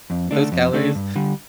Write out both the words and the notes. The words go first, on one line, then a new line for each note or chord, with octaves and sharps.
Those calories,
F2
D3 A3 D4
F2
D3 A3 D4
G2
D3 G3